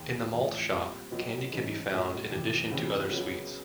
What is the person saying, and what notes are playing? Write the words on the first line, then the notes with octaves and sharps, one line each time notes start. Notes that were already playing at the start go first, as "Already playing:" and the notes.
In the malt shop, candy can be found in addition to other sweets.
Already playing: D#2 D#3 G#3
A1 A2 F3
A#2 G3 C4
B1 A#2 F#3 B3 D#4
G#2 E3 G#3 C#4
B1 A2 F3 G#3
F2 C3 E3
C#2 C#3 E3 G3 C4
C#2 C#3 F#3 B3